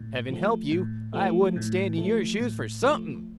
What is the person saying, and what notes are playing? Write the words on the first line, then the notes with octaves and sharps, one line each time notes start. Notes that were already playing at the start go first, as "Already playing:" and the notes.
Heaven help you, I wouldn't stand in your shoes for something.'
Already playing: A2
F3 A3
A2
F3 A3
A2
F3 A3
A2
F3 A3